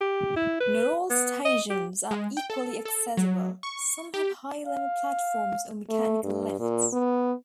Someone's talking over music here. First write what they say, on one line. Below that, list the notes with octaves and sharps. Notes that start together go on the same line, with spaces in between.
Not all stations are equally accessible; some have high-level platforms or mechanical lifts.
G4
E4
B4
B3
D#5
G4
G#3
G5
A4
A4
F#3
C#6
G4
F5
A3
G2
A#2
B3